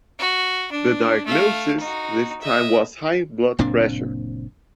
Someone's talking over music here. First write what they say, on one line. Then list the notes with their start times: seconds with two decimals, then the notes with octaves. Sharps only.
The diagnosis this time was high blood pressure.
0.19 F#4
0.72 D4
1.26 A3 F5
1.80 D#4 F#4
2.41 D#5 E5
3.59 F#1 A#2 C4 D4